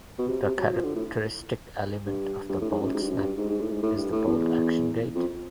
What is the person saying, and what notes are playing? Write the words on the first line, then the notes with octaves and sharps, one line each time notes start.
The characteristic element of the bolt snap is the bolt action gate.
B2
C3
C3
F#3
F3
D3
A2
G2
G2
A2
G#2
F#2
G#2
G2
F#2
G2
G#2
G#2
A2
G#2
A2
G2
A2
E2
F2